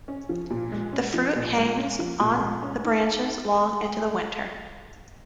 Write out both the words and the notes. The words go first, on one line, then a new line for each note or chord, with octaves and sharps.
The fruit hangs on the branches long into the winter.
C#4
F3
A#2
G#3
C#4
F3
A#2
G#3
C#4
F3
A#2
G#3
C#4
D#4